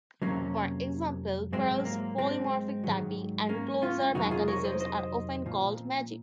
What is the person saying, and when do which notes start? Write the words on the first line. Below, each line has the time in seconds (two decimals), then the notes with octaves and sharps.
For example, Perl's polymorphic typing and closure mechanisms are often called "magic".
0.22 F2 C3 F#3 A#3 C#4
1.53 G#2 F#3 G#3 C4
1.85 A#3
2.18 G#3 C4
2.84 G#2 D#3 F#3
3.49 A#3 C#4
3.82 C#4 F4
4.14 F2 C3 D#3 F#3 D#4 F#4
4.31 F4 G#4
4.48 A#4 C#5
4.64 C5 D#5
4.80 C5 D#5
5.46 A#2 F3